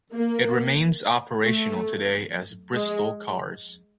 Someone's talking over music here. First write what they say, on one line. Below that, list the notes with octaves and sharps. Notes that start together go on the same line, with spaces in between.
It remains operational today as Bristol Cars.
A#3
A3
G#3